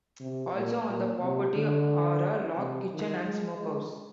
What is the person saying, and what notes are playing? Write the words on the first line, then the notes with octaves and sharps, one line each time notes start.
Also on the property are a log kitchen and smokehouse.
C3
A#2
A#2
C3
D3
C3
D#3
G#3
G#3